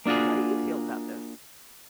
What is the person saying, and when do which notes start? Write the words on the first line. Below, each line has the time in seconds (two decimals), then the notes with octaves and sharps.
What do you feel about this?
0.06 A#3 D4 F4 F#4 G#4